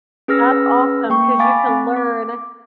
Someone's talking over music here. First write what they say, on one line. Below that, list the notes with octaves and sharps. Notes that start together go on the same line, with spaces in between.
That's awesome, 'cause you can learn
C#4 G#4 B4 E6 F6 A#6
A#3 G5 C#6
F5 G#5 B5 D6 A6
C4
D6